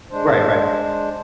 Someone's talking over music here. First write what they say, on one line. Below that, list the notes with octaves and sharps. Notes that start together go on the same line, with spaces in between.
Right, right.
G#3 D4 C5